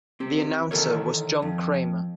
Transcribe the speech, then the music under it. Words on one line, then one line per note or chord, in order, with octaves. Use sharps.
The announcer was John Cramer.
C4 G4
D#3 E3 G#3 A4 A#4 C#5
F2